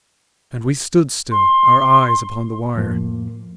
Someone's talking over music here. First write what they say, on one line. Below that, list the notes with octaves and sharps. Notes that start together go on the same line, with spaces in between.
And we stood still, our eyes upon the wire.
C6
F2 A2 F3 A#3